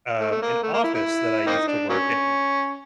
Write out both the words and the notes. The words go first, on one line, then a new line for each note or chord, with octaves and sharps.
um, an office that I used to work in,
A3
A3
A#3
A3
A#3
E4
E4
A#3 C4 D#4
D4
F#3 A#3 C#4